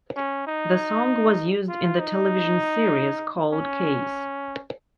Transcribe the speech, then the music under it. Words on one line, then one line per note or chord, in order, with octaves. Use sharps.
The song was used in the television series "Cold Case".
C#4
D#4
F4
D#4
C#4